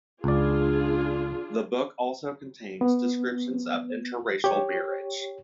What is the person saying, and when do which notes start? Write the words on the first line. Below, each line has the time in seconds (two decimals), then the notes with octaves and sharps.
The book also contains descriptions of interracial marriage.
0.24 C#2 D4 F4 G#4 D5
2.81 B3
4.44 G4 C#5